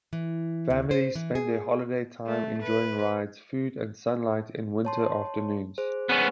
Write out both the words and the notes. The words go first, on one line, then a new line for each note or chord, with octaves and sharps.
Families spend their holiday time enjoying rides, food and sunlight in winter afternoons.
E3
D2
C5
E3
G#4
A3
B4
C#5 A5 C6
G#4 C5
B3 C#4